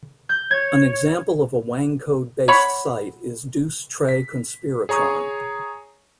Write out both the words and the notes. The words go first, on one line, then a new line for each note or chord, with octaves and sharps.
An example of a Wangcode-based site is "Deuce Tre - Conspiratron".
G6
C#5 G#6
C#5 F#5 B5
B6
G#4 C#5 A#5 C#6 D#6